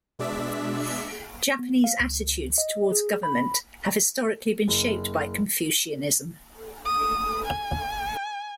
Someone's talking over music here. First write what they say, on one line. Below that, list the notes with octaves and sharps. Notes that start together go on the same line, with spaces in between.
Japanese attitudes towards government have historically been shaped by Confucianism.
B2 G#3 D4 D5 E5 B6
B3
F5
C#2
D#5
G#4
B5
F#1
D#6
G#5